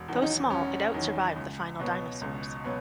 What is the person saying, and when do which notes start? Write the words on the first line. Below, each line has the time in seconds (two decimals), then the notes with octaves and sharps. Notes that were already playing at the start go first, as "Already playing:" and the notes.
Though small, it outsurvived the final dinosaurs.
Already playing: E1
0.08 E2 D#3 F#3
0.22 D#4
0.50 E1 C#4
0.94 E2 D#3 F#3
1.36 C#2
1.80 B2 F#3 B3
2.21 C#2
2.64 B2 F#3 B3